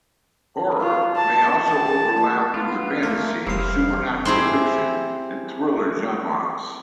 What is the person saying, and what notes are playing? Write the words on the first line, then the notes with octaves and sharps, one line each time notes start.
Horror may also overlap with the fantasy, supernatural fiction and thriller genres.
F4
A5
A5
B3 F4
A3 A#3
F1 C2 E3 C5 F5 D#6
C4 E4 G4 G#4